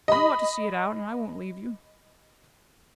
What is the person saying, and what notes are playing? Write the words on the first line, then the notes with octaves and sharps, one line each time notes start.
You ought to see it out, and I won't leave you.
D#5 B5